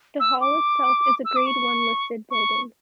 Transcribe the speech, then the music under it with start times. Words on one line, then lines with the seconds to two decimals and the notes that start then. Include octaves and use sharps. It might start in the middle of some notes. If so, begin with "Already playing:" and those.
The hall itself is a Grade One listed building.
0.20 E6
0.41 D6
1.25 E6
1.36 D6
1.46 C#6
2.30 C#6